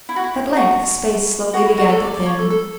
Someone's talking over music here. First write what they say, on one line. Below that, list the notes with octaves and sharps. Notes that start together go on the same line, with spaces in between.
At length the space slowly began to thin.
E4
F#4
E4
F#4
F#4
E4
F#4
A4
D5
D5
C#5
A4
A4